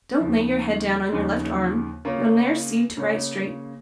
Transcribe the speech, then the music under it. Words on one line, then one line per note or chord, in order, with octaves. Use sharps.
'Don't lay your head down on your left arm, you'll ne'er see to write straight.'
D#2 C#3 F3
D#2 C#3 F3
C#3 A#3 F4 C#5
C#3 A#3 F4 C#5